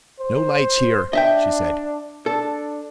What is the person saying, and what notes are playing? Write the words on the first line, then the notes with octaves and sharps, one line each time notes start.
"No lights here!" she said.
C5
D4 D#5 E5 G5
D4 A4